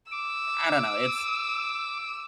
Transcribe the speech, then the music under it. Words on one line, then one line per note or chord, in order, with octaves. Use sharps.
I don't know. It's
D6 E6